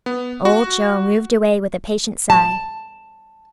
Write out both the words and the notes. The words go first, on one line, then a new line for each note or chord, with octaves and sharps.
Old Joe moved away with a patient sigh.
B3
F#4
A5